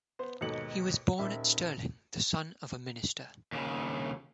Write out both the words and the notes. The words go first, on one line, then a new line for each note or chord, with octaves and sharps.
He was born at Stirling, the son of a minister.
B3 C5
D#2 G#2 B2 A4 C#7 F#7
D#1 D#3 E5
D#2 C#3